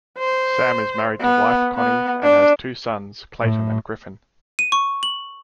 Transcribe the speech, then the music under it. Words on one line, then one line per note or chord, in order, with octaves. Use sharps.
Sam is married to wife, Connie, and has two sons, Clayton and Griffin.
C5
B3
B3
D4
A2
D#7
C#6
F#7